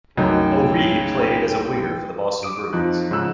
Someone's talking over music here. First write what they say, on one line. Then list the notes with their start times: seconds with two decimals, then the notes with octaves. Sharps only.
O'Ree played as a winger for the Boston Bruins.
0.17 C2 F#2 C#3 A3 D#4 G5
2.43 D6 D#6 D7
2.73 F2 F3 D#4 F#6
3.11 G#2 C#3 F3 E6 F#6